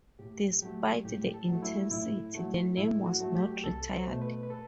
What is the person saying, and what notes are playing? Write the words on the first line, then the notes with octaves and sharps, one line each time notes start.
Despite the intensity, the name was not retired.
A2 G4
F#3 A3 G4
A2 G4
A4
F#3 A3
E4
A2 E4
F#3 A3
A2 E4
F#4
F#3 A3
G4
C2 A4
C5
B2 A3
B4
B4
A4